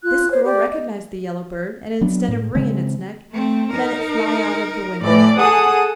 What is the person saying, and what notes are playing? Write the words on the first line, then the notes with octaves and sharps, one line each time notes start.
This girl recognized the yellow bird, and instead of wringing its neck, let it fly out of the window.
F4 F#6
C5 C#5
G4 D5
D#5
F#3 B3 D4
A2
C#3 E3 G#3 C4
A3 C4
D#4 A#4
A2 E3 D5
G#4 A4 F#5 D#6